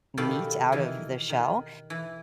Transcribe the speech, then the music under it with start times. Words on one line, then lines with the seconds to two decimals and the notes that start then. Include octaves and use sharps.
meat out of the shell,
0.17 B2 D#3 G4 A4 F5 B5
0.72 D#3 E3
1.30 D#3
1.90 E3